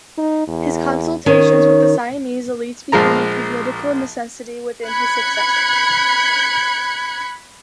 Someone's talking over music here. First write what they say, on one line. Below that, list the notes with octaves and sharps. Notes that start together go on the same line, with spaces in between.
His consultations with the Siamese elites became a political necessity within his successors.
D#4
E2
D#3 C#4 D#4 C#5
A#1 F3 G#3 A#5
B5 F#6 G#6 C#7